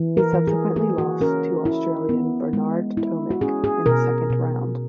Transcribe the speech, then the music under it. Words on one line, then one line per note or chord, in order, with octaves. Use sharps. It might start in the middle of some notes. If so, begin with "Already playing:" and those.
He subsequently lost to Australian Bernard Tomic in the second round.
Already playing: E3
A#4
E3
G#4
A#3 G#4
F#4
C#4 A#4
E4
B3
G#3
E4
F#4
C#4 G#4
G#4
B2 A#4
B2